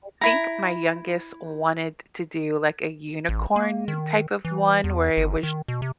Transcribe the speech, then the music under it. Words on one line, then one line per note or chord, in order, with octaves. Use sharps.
I think my youngest wanted to do, like, a unicorn type of one where it was
E4 A#5
A1
A#3
D#3
E3
E2
G1
D#3
B2
C3